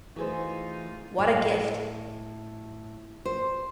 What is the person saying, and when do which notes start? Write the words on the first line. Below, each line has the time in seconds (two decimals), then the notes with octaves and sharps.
What a gift.
0.16 E3 A3 D#4 F4 F#4 G#4 C5
1.19 A2
3.25 C5